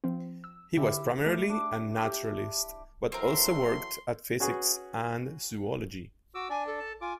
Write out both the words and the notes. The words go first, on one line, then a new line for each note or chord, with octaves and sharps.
He was primarily a naturalist, but also worked at physics and zoology.
F3 C4
E6
D3 E4 G4 E6
A3
D4 D6
G4
E3 F#3 C4 A4 A#4 C6
C#4 F#4 G#4 B4
F#4 D6 E6
D4 D5 G#5
A4
A5
F4 G#5 D6